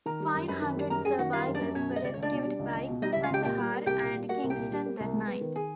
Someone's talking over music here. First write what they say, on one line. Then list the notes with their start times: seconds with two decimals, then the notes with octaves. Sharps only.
Five hundred survivors were rescued by "Kandahar" and "Kingston" that night.
0.06 D#3 A#4 A#5
0.20 G3
0.35 F#2
0.48 F#2 B4 B5
0.62 D#3
0.77 G3
0.90 F#2 A#4 A#5
1.05 F#2 G#4 G#5
1.18 D#3 F#4 F#5
1.33 G3 F4 F5
1.47 F#2
1.55 D4 D5
1.61 F#2
1.75 B2 C#4 C#5
1.90 G3
1.96 D#5
2.03 C#2 D5
2.14 C#5
2.17 C#2
2.22 D4 D5
2.31 B2
2.45 G3
2.59 C#2
2.74 C#2
2.88 B2
3.02 G3 D#4 D#5
3.12 E4 E5
3.16 C#2
3.23 F4 F5
3.30 C#2 G4 G5
3.44 A#2 G4 G5
3.58 G3
3.72 A#3
3.86 C2 G4 G5
4.01 A#2
4.15 G3
4.29 A#3 F#4 F#5
4.44 C2
4.50 G4 G5
4.57 A#2
4.71 G3
4.86 A#3
5.00 C2
5.13 G#3
5.28 B3
5.41 D#3
5.56 D#3 G#4 G#5